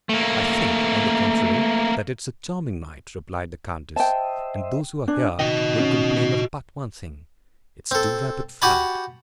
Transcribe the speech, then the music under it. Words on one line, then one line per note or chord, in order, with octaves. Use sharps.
"I think, on the contrary, that it is a charming night," replied the countess, "and those who are here will complain of but one thing--its too rapid flight."
A3 A#3
C5 D#5 E5 G5 A5
D4 G#5 F#6
C3 D#3 D#4 F#4 D#5 G5
C#4
C4 A4
F#4 G4 F#5 G#5 A5 B5